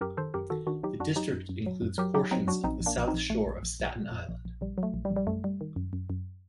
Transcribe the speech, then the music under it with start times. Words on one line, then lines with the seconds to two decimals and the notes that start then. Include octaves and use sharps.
The district includes portions of the South shore of Staten Island.
0.01 F#2 G4 A#4
0.17 D#3 A4 C5
0.34 F#2 G4 A#4
0.50 D#3 F#4 A4
0.67 D#3 D4 F#4
0.83 F#3 D#4 G4
1.00 F#2 D4 F#4
1.16 F#3 D#4 G4
1.32 F#2
1.49 F#2
1.66 F#3
1.82 F#2
1.98 F#3 G4 A#4
2.15 F#3 D#4 G4
2.31 F#3 C4 D#4
2.47 F#3 D4 F#4
2.64 A#1 C4 D#4
2.81 A#1
2.86 A#3 D4
2.98 A#1
3.08 C4 D#4
3.14 A#1
3.30 A#1 A3
3.46 A#1
3.63 A#1
3.80 A#1
3.96 A#2
4.12 A#2
4.29 A#1
4.45 A#1
4.61 A#1 G3
4.78 F#3
4.83 A3
4.94 A#1
5.05 G3
5.11 A#1
5.16 G3
5.27 F#2 A3
5.44 G3
5.61 D#3
5.76 F#2
5.93 F#2
6.10 F#2